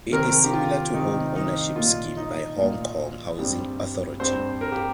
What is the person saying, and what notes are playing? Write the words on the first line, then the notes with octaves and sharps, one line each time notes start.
It is similar to Home Ownership Scheme by Hong Kong Housing Authority.
C3 D#3 C4 A#4
G4
F4
C3 D#3 C4 D#4
D#4
A#2 A#3 F4
D#4
A#2 A#3
G2 G3 C4
G2 G3 C4 C5
A#4
G4